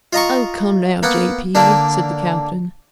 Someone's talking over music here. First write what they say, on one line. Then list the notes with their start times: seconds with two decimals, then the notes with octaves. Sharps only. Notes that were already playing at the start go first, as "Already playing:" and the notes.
"Oh, come now, J. P.," said the captain.
0.13 F4 D#5 A#5 C#6
1.03 A#3 B3 F#5
1.55 D3 A#3 D4